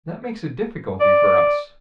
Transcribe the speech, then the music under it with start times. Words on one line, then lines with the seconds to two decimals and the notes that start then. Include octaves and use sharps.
That makes a difficulty for us.
1.00 D5